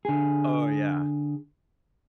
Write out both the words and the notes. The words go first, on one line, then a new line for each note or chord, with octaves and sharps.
Oh, yeah.
D3 G#4